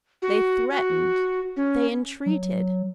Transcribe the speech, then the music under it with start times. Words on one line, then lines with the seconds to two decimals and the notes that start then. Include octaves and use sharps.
They threatened, they entreated.
0.22 F#4
0.70 F#4
1.56 C#4
2.26 F#3